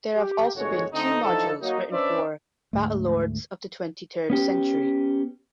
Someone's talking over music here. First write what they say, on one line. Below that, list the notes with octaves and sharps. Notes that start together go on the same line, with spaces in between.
There have also been two modules written for "Battlelords of the Twenty-Third century".
G4
G1 E2 A2 G#3 F#4 C#5
D3 A3 C4 D#4
E3 F3 D4 D#4 A4
F#3 A#3 D#4
C#4 D4 B4 C5 D5 E5
D2 G#2 A3
B3 C#4 G4